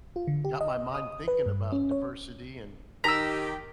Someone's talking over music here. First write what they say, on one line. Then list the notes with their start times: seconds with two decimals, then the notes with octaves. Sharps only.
got my mind thinking about diversity and
0.16 F4
0.27 D3
0.45 G4
0.61 D#5
0.95 D#6
1.28 B4
1.46 G2
1.72 C#4
1.91 C#5
3.04 D#3 G4 A#5 E6 B6